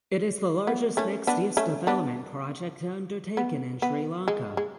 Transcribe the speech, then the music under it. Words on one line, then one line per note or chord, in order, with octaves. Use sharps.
It is the largest mixed use development project undertaken in Sri Lanka.
B3
A3 C#4
B3 D4
A3 C#4
B3 D4
B3
B3
G#3
G#3